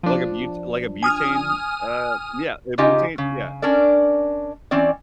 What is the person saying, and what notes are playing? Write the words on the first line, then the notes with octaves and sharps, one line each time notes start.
Like a bute like a butane? Uh, yeah, a butane? Yeah.
F3 D4
G#5 D#6 F6
C#3 D#4 F4 G4 D#5 G#5
C#3
C#4 D4 A#4 D5
E3 C4 C#4 D5